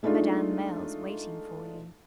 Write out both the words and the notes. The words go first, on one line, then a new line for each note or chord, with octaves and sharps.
"Madame Merle's waiting for you."
G#3 A3 D4 D#4 F4